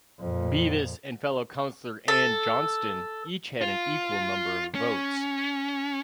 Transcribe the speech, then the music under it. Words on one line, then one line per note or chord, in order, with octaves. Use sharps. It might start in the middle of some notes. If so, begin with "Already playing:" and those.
Beavis and fellow councillor Anne Johnston each had an equal number of votes.
F2 A#2
A4
F4
C#4